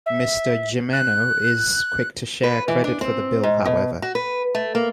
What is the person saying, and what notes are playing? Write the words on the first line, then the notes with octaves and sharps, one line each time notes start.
Mr. Jimeno is quick to share credit for the bill, however.
E5
F#6
B4
E3
D4
C4
G#2
B2
F#4
B4
A3
A#3